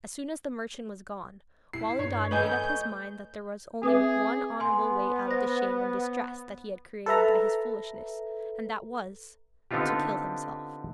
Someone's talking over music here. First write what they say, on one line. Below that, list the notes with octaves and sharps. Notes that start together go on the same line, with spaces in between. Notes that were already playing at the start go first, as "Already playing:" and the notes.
As soon as the merchant was gone Wali Dad made up his mind that there was only one honourable way out of the shame and distress that he had created by his foolishness, and that was--to kill himself.
E4 C7
G2 C#5
A3 B4 D#5 G#5 G6
C4 G#4 B4 E5 D6 D#6
B3 G#5 C6
C5 A#6
A4 B4 E5 A#5
D3 B3 C4 D#4 F4 G4